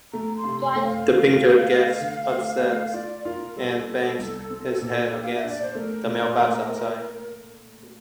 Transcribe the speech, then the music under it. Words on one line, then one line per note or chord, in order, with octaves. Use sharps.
The painter gets upset and bangs his head against the mailbox outside.
A3 A#5
C6
C3
C6
A3
F5
D3
A3
A3
D3
A3
A3
F4 D5
F4 A#4
G3 A4
G3
C2
C4
A#2
G4
F5
E5
D4
D5
C5
A3 A#4
A#2
A3
A#3